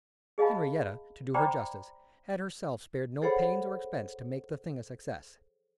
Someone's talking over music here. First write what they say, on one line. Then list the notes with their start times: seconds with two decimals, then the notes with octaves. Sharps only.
Henriette, to do her justice, had herself spared no pains or expense to make the thing a success.
0.38 G#4 D#5 F5 A5 B5
1.34 C5 D5 G5 A#5 B5 D6
3.22 G#4 A4 C5 C#5 F#5 B5